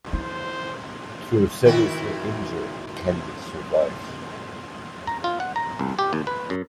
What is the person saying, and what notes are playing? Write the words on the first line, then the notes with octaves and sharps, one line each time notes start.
Though seriously injured, Kennedy survives.
E4 C5
D#3 E4 F#4
A#5
F4
F#5
A#5
C2
G4
D#2
B4
F#2